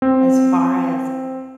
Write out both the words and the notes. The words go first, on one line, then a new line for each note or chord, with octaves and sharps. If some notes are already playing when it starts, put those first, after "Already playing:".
as far as
C4